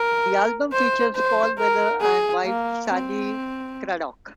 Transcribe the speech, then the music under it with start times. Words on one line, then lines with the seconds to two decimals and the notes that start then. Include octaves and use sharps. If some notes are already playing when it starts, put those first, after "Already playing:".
The album features Paul Weller and wife Sally Cradock.
Already playing: A#4
0.73 C5
1.15 C5
1.58 A#4
2.01 G#4
2.44 A#3
2.87 C4